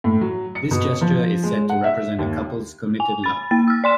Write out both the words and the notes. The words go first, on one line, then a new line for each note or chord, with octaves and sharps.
This gesture is said to represent a couple's committed love.
A2
F#3
C#7
B2
F3
G#3
F#5
E5
D#2
G#5
B5 A6
A#3 A6
E6 F6
D5 C6 E7